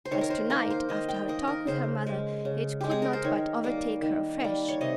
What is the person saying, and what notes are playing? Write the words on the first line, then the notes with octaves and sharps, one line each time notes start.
And to-night, after her talk with her mother, it could not but overtake her afresh.
C5
D#3 C#5
A#4
C5
A#3 A#4
C5
D#3 D#5
G5
A#3 D#5
A#4
C#3 C5
G#3
C#3
G#3 G4
G#4
A#4
C5
D#3 C#5
G3 A#3
D#3
G3 A#3
C#5
C3 D#5